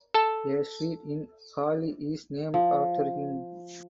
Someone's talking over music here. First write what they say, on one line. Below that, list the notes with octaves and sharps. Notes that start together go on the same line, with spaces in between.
A street in Halle is named after him.
A4 A5
F3